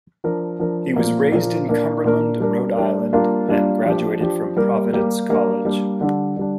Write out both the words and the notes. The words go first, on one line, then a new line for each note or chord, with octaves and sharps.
He was raised in Cumberland, Rhode Island and graduated from Providence College.
F3 D4 A#4
F3 D4 A#4
A#2 F3 A#3
A#2 F3 A#3
A#2 A#3 D4 A#4
A#2 A#3 D4 A#4
G3 D4 A#4
G3 D4 A#4
G3 A#3 D4 F4 A#4
G3 A#3 D4 F4 A#4
F3 D4 G4
F3 D4 G4
G3 A#3 G4 A#4
G3 A#3 G4 A#4
G3 A#3 D4 A#4
G3 A#3 D4 A#4
D3 G3 D4
D3 G3 D4